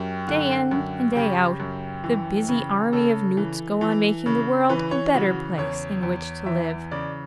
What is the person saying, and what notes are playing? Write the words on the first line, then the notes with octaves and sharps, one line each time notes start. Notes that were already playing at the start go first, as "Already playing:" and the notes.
Day in and day out, the busy army of newts go on making the world a better place in which to live.
Already playing: F#2 G4
D3
F#2
C#3 G4
F#2
E3
C#3
C#3 A4
E3
E3
C#3
E3 B4
C#5
C#3 F#4
E2 C#5
E2
E3 E5
C#3 D5